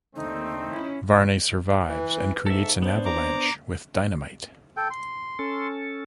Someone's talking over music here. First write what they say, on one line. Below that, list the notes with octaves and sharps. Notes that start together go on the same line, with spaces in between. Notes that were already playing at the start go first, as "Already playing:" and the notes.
Varnay survives and creates an avalanche with dynamite.
D#2 D3 A3 C4 D#4
C#4 E4
E3 B4
G#2 A4 E5
B3 D4 C5
A#5 D6
A4 G5
C6
C#4 A4